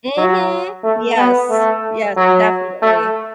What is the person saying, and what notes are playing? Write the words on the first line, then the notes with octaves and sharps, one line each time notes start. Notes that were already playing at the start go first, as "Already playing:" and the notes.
Mhm. Yes. Yes, definitely.
F#3
A3
B3
A3
F#3
A3